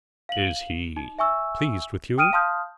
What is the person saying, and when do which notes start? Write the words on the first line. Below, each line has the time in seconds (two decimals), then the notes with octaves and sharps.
"Is he pleased with you?"
0.29 F5 F#7
0.97 D#4
1.19 E5 G#5 C#6 E6
2.18 G5 D#6 F6 D7 D#7
2.33 F5 A5 C6 D#6 F6 G6